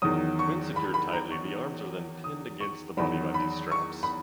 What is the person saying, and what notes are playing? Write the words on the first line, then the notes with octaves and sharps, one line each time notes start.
When secured tightly, the arms are then pinned against the body by these straps.
E2 D#3 F#3 D#6
C#6
B5
B5
A#5
C#6
D#6
C#6
E2 D#3 F#3 B5
B5
C#6
B5